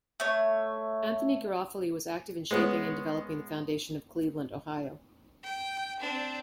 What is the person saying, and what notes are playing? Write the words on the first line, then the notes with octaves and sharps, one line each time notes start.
Anthony Garofoli was active in shaping and developing the foundation of Cleveland, Ohio.
A3 C#5
G#3 B3 C#4
G5
C4 D4